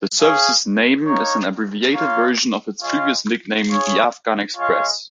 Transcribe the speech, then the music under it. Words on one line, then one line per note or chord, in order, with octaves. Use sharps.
The service's name is an abbreviated version of its previous nickname "The Afghan Express".
C#4 G#4 C#5 F5
A#3 D#4 C#5
A#3 F4 C#5 F5
G#3 F4 C#5 F5
F4 G#4 C#5
G#3 F4 C#5 F5